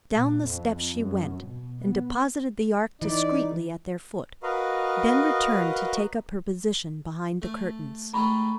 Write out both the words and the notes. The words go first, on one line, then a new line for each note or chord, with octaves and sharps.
Down the steps she went, and deposited the ark discreetly at their foot; then returned to take up her position behind the curtains.
A#2
F2
F#2
B2
B3
E3 D#4 D5
F#4 A#4 B4 D#5 F5
A3
A2 G#3 A3 A#5 B5 C#6